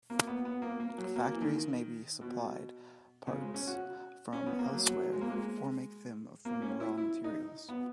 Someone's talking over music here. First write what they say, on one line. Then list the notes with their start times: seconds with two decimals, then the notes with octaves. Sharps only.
Factories may be supplied parts from elsewhere or make them from raw materials.
0.10 A#3
0.27 B3
0.45 B3
0.62 A#3
0.80 A#3
0.98 F#3
1.16 A#3
1.32 E3
1.42 D#3
2.21 B2
3.27 C#3
3.41 G#3
3.54 C#4
3.67 F#4
4.33 C#4
4.46 B3
4.59 A#3
4.73 F#3
4.86 F#3
5.12 G#3
5.21 A#3
5.30 G#3
6.45 A#3
6.62 C#4
6.80 E4
6.97 E4
7.24 D#4
7.69 B3